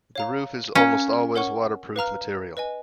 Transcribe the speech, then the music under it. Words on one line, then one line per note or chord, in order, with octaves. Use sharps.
The roof is almost always waterproof material.
C#5 F5 A#5
C#4 A#4 C#5 F5 A#5
A#4 C#5 F#5 C#6
B4 F5 A#5 F6
B4 D#5 G#5